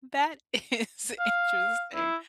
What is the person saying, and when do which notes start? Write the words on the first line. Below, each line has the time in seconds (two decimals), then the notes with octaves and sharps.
That is interesting.
1.20 F5
1.95 E4